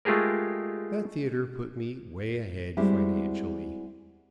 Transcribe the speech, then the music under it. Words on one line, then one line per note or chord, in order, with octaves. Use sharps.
That theatre put me way ahead financially.
G#3 A3 F4 G4 G#4 A#4
G3 G#3 C4 E4 F#4 G4